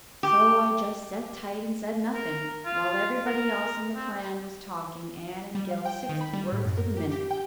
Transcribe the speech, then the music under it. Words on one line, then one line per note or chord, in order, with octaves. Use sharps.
So I just set tight and said nothing, while everybody else in the clan was talking Anne and Gil sixty words to the minute.
G4
A#4
F4
A#4
C4
G3
F5
G5
D#3
B5
G3
A2
F#2
A#4
G4
G4
G5